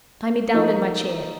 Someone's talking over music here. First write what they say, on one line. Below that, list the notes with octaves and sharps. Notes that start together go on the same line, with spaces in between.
Tie me down in my chair.
F3 A#3 D#4